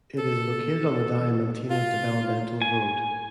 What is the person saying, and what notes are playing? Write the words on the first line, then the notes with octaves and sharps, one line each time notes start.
It is located on the Diamantina Developmental Road.
A4
F4
G#5